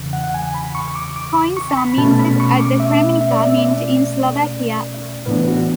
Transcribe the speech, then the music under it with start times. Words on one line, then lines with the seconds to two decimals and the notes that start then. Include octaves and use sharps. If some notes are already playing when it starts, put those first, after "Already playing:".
Coins are minted at the Kremnica mint in Slovakia.
Already playing: E2 C#3 E3
0.13 F#5
0.24 F#5
0.34 G#5
0.54 B5
0.75 C#6
0.95 D6
1.16 D6
1.57 C#6
1.77 B5
1.98 B2 A3 C#4 A5
2.19 B5
2.40 C#6
2.60 D6
2.80 E5
3.21 E5
3.31 D5
3.40 E5
3.58 E5
3.62 D5
5.26 A2 E3 B3 D4 B4
5.48 F#4